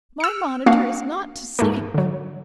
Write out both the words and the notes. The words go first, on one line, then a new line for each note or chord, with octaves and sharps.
"My monitor is not to sink!"
E6 C#7
A#3 C4 D4 F#4 F5
G#2 A3 A#3
D3 F#3